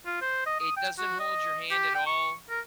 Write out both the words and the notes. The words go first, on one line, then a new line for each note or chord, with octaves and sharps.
It doesn't hold your hand at all.
F4
C5
D#5
D#6
G5
F#4
D#5
G4
G5
C#6
A#4